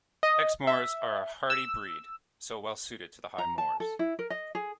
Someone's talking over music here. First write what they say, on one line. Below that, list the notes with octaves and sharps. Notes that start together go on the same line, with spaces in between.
Exmoors are a hardy breed, so well suited to the high moors.
D#5
E5
E6
A#5
A5
A4
E4
A#4
D#5
G#4